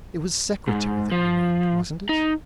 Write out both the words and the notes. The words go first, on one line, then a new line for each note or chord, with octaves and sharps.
'It was Secretary that you named; wasn't it?'
G#2
F3
D#4